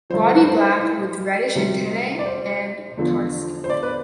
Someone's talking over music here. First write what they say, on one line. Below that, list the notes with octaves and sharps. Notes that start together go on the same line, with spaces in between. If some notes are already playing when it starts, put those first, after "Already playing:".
Body black with reddish antennae and tarsi.
G2 F3 C5
A4
B4
C5
D2 C3 G3
D5
C5
E2 D3 F3
C5
D5
B4